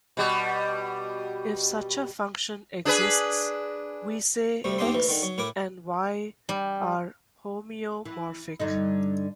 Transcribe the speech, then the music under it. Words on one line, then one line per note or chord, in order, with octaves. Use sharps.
If such a function exists, we say "X" and "Y" are homeomorphic.
B2 G3
D4 G#4 B4
D2 C3 G3 A3
D#2 A#3 D#4 G4 D#5 C6
D2 E3
D3 D#3
F#3
A2 E4 A#4 D6
G3
E3
G2 D3 D#4